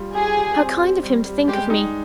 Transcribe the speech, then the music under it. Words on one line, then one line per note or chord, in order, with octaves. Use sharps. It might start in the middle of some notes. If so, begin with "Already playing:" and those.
'How kind of him to think of me!
Already playing: G3 F4
G4 G#4
G4
C4
G4
G3
G3
G#3 G4
D#4